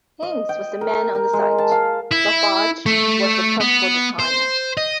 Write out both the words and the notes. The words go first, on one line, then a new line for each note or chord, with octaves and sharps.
Heins was the man on the site; LaFarge was the principal designer.
D#5
G5
A#4
A#4
G#3
A5
F5
E4
A3
B3
C5
D#5